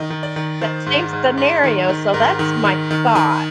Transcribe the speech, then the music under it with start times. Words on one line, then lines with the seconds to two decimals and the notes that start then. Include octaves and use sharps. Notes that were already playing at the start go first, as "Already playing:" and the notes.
That same scenario, so, that's my thought,
Already playing: D#3 D#5
0.10 D#3
0.23 D5
0.36 D#3
0.61 D#3 C5
0.86 G#2
1.13 G#2
1.37 G#2
1.64 D#3
1.89 D#3
2.14 G#2 A#4
2.39 D#3
2.65 D#3
2.91 D#3
3.15 D#3